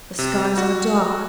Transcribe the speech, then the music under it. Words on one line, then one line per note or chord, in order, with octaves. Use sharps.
The skies are dark!
C3
F#4